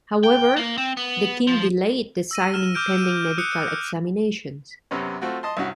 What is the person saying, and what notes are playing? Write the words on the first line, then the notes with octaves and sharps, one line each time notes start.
However, the team delayed the signing pending medical examinations.
G5
A#3
C4
B3
F3
E6 A#6 D#7
F6 E7
D6 F6 G6 D7
D#7
D#6 F#6 C#7
F#2 C3 B3 C#4
A3 C4 F4 F#4
D#5 A5 C6
C2 G2 C#4 F#4